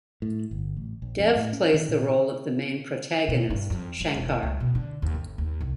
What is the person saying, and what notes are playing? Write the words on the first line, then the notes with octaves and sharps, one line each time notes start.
Dev plays the role of the main protagonist, Shankar.
A2
G1
A1
A#1
F2
A2
C#4
D#3
A#2
B2
G2
F2
G#3
E1
C#2
B2
D3
D#2
G1
D#2
C2